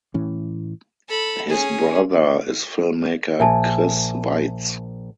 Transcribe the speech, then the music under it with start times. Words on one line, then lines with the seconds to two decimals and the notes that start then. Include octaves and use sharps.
His brother is filmmaker Chris Weitz.
0.14 A2 E3 C#4
1.09 A4 B5
1.49 C#4 G#4
3.40 A#1 E5 G#5 A5